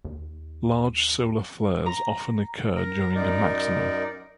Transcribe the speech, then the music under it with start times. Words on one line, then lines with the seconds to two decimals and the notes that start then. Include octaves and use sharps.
Large solar flares often occur during a maximum.
0.05 D#2
1.86 A#5
2.76 A#4
3.15 F#2 D#4 A#4 D5